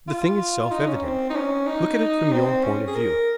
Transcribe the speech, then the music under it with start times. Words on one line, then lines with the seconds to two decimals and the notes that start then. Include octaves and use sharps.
The thing is self-evident. Look at it from your point of view.
0.08 F4
0.71 D#4
0.88 C#4
1.03 C4
1.30 D#4
1.35 C#4
1.67 D#4
2.32 C4
2.63 C#4
2.88 G#4
2.95 A#4